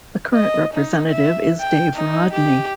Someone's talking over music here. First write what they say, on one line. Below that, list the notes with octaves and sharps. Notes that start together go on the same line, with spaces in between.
The current representative is Dave Rodney.
D#5
D#4
E5
G5
D#4
G4